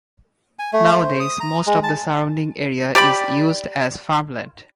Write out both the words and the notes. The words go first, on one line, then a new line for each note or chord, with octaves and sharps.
Nowadays most of the surrounding area is used as farmland.
G#5
A3
C5
D#6
A#5
G#3
A5
G4 D5 G5 B5